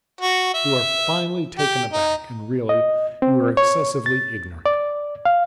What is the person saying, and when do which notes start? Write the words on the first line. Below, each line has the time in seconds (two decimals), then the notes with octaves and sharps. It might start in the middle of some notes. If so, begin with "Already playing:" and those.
You are finely taken aback, and really, you are excessively ignorant.
0.21 F#4
0.54 E5
1.59 G4
1.93 D#4
2.69 D#5
3.22 C4
3.57 C#5
4.06 A6
4.66 D5
5.25 F5